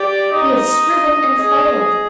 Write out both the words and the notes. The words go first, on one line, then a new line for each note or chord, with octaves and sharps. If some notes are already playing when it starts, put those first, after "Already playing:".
We have striven and failed.
Already playing: G4 D5
D#4 D#5
G#4 D#5